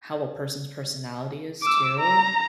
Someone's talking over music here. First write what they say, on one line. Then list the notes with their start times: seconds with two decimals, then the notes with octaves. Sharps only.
how a person's personality is too.
1.63 D6 E6
2.00 A#5